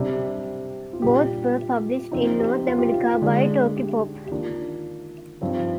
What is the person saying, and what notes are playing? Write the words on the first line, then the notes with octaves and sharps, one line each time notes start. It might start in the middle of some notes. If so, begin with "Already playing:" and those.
Both were published in North America by Tokyopop.
Already playing: C3 G3 D4
F4
A#2 G3 D4 G4
C3 F3 C4 D#4 F4
G4
F4
G4
F4
D3 G#3 D4
G4
G4
D#3 A#3 D4 F4
G2 F3 C4 D#4